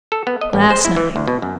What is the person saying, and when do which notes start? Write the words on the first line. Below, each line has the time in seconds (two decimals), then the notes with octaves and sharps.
'Last night.
0.12 A4
0.27 B3
0.41 D#5
0.53 A1
0.71 C5
0.85 E4
0.96 E3
1.16 D2
1.27 B2
1.42 F#2